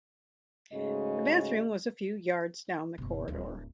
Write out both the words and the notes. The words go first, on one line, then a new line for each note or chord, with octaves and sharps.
The bathroom was a few yards down the corridor.
G#2 C#3 G#3 A3 F#4 D#5
F#1 B2
D1